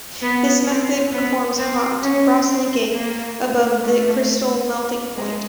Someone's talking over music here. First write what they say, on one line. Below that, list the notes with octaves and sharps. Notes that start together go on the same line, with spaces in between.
This method performs "hot" cross-linking, above the crystal melting point.
B3
C4
B3
C4
C#4
C4
A#3
A3
G#3